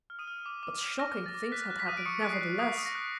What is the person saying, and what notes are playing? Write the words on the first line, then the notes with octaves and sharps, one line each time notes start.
But shocking things had happened, nevertheless!
F6
D#6 D#7
F6
D6
D6
F6
F6 A#6
D6
A6
D6
F#6 B6
F#6
B6
D#6 D#7
D7
C#6 D#6 C#7
F#6 B6
C7
F#6
D#6 B6
D#6
A#6
F#6